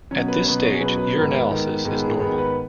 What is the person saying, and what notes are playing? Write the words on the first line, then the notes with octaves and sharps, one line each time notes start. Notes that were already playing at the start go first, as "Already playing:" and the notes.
At this stage urinalysis is normal.
B2 F#3 C#4 C#5
B4
B2 F#3 C#4 B4
C#5
G#4
B2 F#3 C#4 B4
B4
G#2 D#3 B3
G#2 D#3 B3
G#2 D#3 B3 G#4
B4
G#4
G#2 D#3 B3 G#4
B4